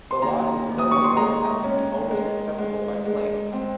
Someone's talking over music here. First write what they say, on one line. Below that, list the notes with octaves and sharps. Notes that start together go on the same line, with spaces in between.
The lodge was so remote as to be only accessible by plane.
C6
D#2 A#5
D#2
D#6
C#6
C6
G#3 A#5
C#4
G#3
G#3
G#3
C4